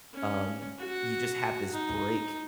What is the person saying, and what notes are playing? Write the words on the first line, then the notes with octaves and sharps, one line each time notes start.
um, you just have this break
C#4
F#4 F#5
D#4